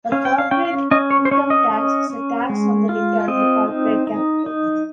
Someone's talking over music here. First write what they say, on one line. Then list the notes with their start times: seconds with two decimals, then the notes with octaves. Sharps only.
The corporate income tax is a tax on the return to corporate capital.
0.12 C#4 F5
0.25 G5
0.38 F5
0.51 C#4 G5
0.65 F5
0.91 C#4 D#5
1.11 C#5
1.25 C5
1.31 C#4 C#5
1.50 D#5
1.70 C#4
2.10 C#4
2.49 G#3
2.89 F4
3.28 C4 D#5
3.68 D#4
4.07 D#4
4.46 D#4